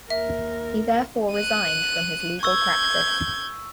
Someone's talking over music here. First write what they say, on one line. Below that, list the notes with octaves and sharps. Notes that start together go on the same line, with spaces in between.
He therefore resigned from his legal practice.
D#2 A#4 E5
F#6 D#7
C#6 E6 G6 G#6